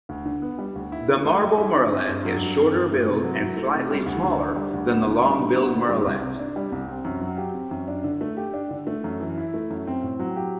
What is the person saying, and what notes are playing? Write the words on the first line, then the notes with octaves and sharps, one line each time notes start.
The Marbled murrelet is shorter-billed and slightly smaller than the Long-billed murrelet.
D2
D3
B3
G3
D2
E4
D3
A3
G4
E4
D3
C4
G2
F#3
G2
C4
G2
A3
C3
F#3
E4
A3
C3
G3
D2
D3
D4
G3
D2
B3
D3
G3
D3
B3
D3
G3
C2
C3
D4
G3
C2
C4
F#2
F#3
G4
C4
F#2
D4
D3
A3
G4
D4
D3
A3
F#2
E3
E4
A3
F#2
C4
A2
F#3
G4